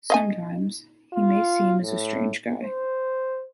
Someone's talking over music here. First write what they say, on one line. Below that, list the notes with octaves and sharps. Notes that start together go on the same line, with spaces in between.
Sometimes, he may seem as strange guy.
D#5 F5 G#5
F4
A2
C5